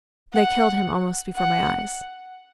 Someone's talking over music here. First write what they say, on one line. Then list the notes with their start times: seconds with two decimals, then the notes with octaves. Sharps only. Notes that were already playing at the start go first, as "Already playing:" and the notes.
"They killed him almost before my eyes."
0.34 F#5
1.36 F#5